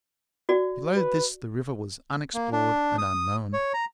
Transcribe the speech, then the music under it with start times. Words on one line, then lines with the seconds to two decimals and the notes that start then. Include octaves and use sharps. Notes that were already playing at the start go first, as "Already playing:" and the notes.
Below this the river was unexplored and unknown.
0.49 F#4 D5
0.96 B4
2.34 A#3
2.52 D4
2.98 D#6
3.53 C#5
3.74 A#5